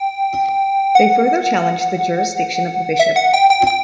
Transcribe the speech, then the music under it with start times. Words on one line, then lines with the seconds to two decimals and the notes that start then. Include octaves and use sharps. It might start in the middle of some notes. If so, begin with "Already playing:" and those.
They further challenged the jurisdiction of the bishop.
Already playing: G5
0.95 F#5
2.99 E5
3.16 F#5
3.34 G5
3.50 G5
3.67 G5